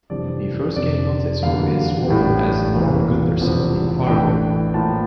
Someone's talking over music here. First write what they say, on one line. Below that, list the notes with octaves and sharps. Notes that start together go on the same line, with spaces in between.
He first gained notice for his role as Norm Gunderson in "Fargo".
F1 F2 E3 G3 D4 D5
F1 F2 C3 D5
E2 D3 G3 A#3 D4 F5
A1 A2 G3 D4
F1 E2 E3 A#3
E1 E2 C3 F3
A1 A2 E3 A3 D4 G5
A2 F3 A#3 F4 A5